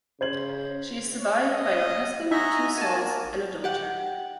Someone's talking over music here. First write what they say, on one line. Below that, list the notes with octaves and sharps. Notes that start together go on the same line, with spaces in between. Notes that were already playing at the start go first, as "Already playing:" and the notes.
She is survived by her husband, two sons and a daughter.
C#3 C5 G#6 F#7
C#5
D#5
D#4 F#4 D#5 E5 G#5 A#5
A#3 F#4 G#5 A5
G4 F#5